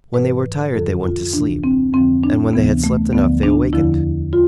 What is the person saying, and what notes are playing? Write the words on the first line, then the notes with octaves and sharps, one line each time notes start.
When they were tired they went to sleep, and when they had slept enough they awakened.
G#2 E3 B4
F2 D3 F3 A4
F4
D2 C3 E3 D4
C4
F2 D3 F3 C4
D4
D2 C3 E3 B3
A3
D2 D3 F3 B3
D4
E2 D3 F3 E4
F4